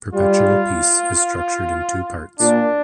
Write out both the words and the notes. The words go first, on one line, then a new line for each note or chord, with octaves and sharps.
"Perpetual Peace" is structured in two parts.
G3 F4
A#2 D4